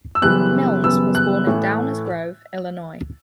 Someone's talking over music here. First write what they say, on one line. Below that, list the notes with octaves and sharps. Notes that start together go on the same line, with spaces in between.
Milnes was born in Downers Grove, Illinois.
E6
F#1 F#2 E3 G3 B3 F#6
F#1 F#2 E3 G3 B3 E6
F#6
A2 E3 A3